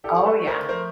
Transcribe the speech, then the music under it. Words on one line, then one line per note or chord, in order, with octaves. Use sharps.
Oh, yeah.
D3 G4 A4
A4 B4
A3
A#4 C5
F3 A#4 C5